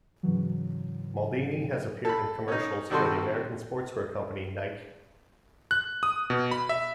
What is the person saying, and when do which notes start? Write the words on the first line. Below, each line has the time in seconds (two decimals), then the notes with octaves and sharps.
Maldini has appeared in commercials for the American sportswear company Nike.
0.23 G#2 C#3 E3 F#3
2.05 A4 B5
2.48 C#4 D#4
2.90 C3 D#3 G3 F#4 A4 C6
5.71 F#6
6.03 D#6
6.30 B2
6.51 B5
6.69 E5